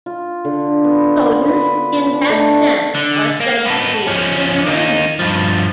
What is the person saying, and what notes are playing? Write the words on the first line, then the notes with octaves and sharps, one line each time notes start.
Codons in that sense are said to be synonymous.
F4
D3
B3
B4
D4
A3
D3
A#3
B3 A4
F3 C#4
A#3 D#4
G2 F3